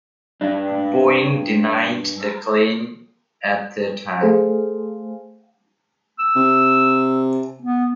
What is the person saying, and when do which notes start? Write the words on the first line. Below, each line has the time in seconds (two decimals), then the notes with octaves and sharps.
Boeing denied the claim at the time.
0.41 G2 D4
4.21 A3 G#4 A4 C5 F5
6.19 E6
6.36 C3
7.62 B3